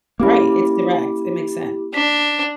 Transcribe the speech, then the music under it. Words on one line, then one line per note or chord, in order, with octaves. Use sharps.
Right, it's direct, it makes sense.
A#3 C#4 E4 G4 D6
D4 B6